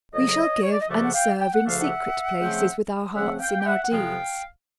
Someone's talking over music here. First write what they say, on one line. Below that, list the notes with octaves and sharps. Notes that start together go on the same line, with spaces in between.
We shall give and serve in secret places with our hearts in our deeds.
F2 C#3 F#3 C#5 D#5
C#5
D5
D#5
D2 C#3 F3 A3 D4 D5 E5
F#5
F5 G5
G5
F#5
D2 C#3 F3 A3 D4 F5
E5 F#5
C#3 F3 A3 C4
C#3 F3 A3 C4 E5 F#5
F5 G5
G5
E5 F#5
F#5
F2 C3 F3 G#3 B3 F5 G5